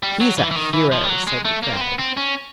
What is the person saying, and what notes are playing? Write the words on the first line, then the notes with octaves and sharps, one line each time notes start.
"He's a hero!" said De Craye.
G3
F#3
E3
E3
D#3
E3
F3
G3
F#3
G#3
A3
A#3
C4
B3
C4
C#4